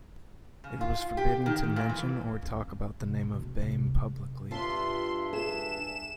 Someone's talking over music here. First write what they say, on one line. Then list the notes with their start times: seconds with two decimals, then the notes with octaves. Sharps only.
It was forbidden to mention or talk about the name of Baiame publicly.
0.64 C#3
0.81 F4
1.17 G4
1.46 D#3
1.64 F2
1.76 A#2
1.89 E3
2.43 C#4
2.56 C4
3.01 C3
3.23 B2
3.39 A3
3.62 C3
3.87 D3
4.51 G2 D4 F4 E5 A5 C6
5.33 G#4 E7